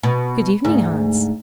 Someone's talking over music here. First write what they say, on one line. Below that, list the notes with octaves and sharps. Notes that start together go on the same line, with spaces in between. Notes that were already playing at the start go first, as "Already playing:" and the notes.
'Good evening, Hans.
B2
D2 G#2